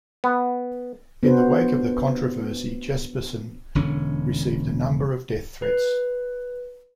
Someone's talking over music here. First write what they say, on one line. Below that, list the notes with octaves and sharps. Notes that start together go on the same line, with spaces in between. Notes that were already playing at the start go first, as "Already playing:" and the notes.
In the wake of the controversy, Jespersen received a number of death threats.
B3
B3 D4 F#4 B4 C5
E1 D3 C#4
B4